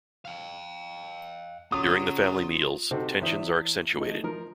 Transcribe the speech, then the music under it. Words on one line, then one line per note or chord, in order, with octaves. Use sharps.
During the family meals, tensions are accentuated.
F5 G5
C#3 F#3 F4 D#6
C3 C4 D#4 F#4 A4
E2 E4 C5 E5 D#6
A3 D#4
F3 A#4